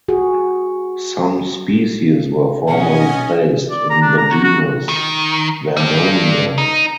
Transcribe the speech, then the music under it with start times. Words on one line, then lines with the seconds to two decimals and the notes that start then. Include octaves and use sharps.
Some species were formerly placed in the genus "Vernonia".
0.08 F#4 G#4
2.68 B1 C#4 D#5 F#5 G#5
3.71 D5
3.90 A#5
4.02 D4
4.18 A#5
4.31 F#4
4.44 F#4
4.89 D#3
5.77 G3 D4
6.58 D#4